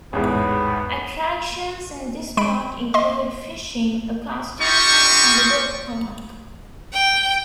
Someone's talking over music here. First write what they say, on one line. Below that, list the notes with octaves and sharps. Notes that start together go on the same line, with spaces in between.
Attractions in this park include fishing, a casting pond, and a dog park.
A1 E2 G#2 B3
G#3 B5 D7
D#5 C6
G3 C4 F4 G4 D#5 C#6
G5